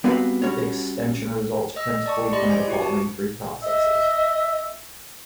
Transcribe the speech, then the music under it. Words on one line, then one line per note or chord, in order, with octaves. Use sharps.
Extension results principally from the following three processes.
G3 B3 C4 F#4 B4 F5
G3 C#4 F#4 C#5
D#5 E6
D5 A5 C#6
G4 D5 D#5 B5 C6
C5 G#5
E4 F#4 G4
A5
D#5 E5